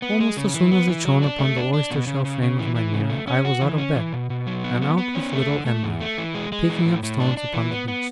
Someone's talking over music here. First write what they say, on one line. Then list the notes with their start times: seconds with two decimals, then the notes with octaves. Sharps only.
Almost as soon as it shone upon the oyster-shell frame of my mirror I was out of bed, and out with little Em'ly, picking up stones upon the beach.
0.02 B3
0.20 G#3
0.37 C#3
0.54 E3
0.71 B3
0.88 E3
1.05 F#3
1.22 D4
1.39 A3
1.56 D4
1.73 D4
1.91 B2
2.07 C#3
2.25 C#3
2.42 C#3
2.59 E3
2.75 E3
2.93 C#3
3.10 A3
3.27 C#4
3.45 F#4
3.61 E3
3.78 C#4
3.95 E3
4.13 B2
4.30 B2
4.47 F#3
4.64 B3
4.82 B3
4.98 B3
5.15 C#4
5.33 A3
5.49 D3
5.66 A3
5.83 E2
6.00 A3
6.18 E3
6.35 G#3
6.52 G#3
6.69 E3
6.85 A2
7.03 A2
7.20 D4
7.37 D4
7.54 E3
7.71 B3
7.88 B3